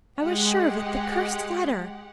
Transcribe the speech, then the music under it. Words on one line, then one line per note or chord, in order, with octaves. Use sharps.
"I was sure of it--the cursed letter!"
G#3 G4 F#5